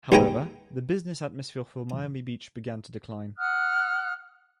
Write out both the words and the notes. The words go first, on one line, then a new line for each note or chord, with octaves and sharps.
However, the business atmosphere for Miami Beach began to decline.
D#2 B3 G#4 D#5 G5 A#5
F#5 D#6 F6 F#6